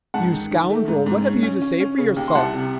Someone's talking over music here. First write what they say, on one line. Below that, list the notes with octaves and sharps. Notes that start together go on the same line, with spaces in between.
You scoundrel, what have you to say for yourself?
G#2 F#5 A5
D#3
D#3
A3
G#2
G#2
C#4
C#4
C#4
C#4
C#3
D#2
C6
C2 F#5 A5
C3